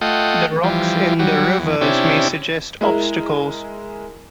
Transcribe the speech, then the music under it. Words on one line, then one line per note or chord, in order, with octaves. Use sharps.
The rocks in the "rivers" may suggest obstacles.
A3 F4 D#5 F#5 G5
E3 F3 G3
F#3 G3
E2
C3 C#4 D4 E4 G4
G#3 E4 A#4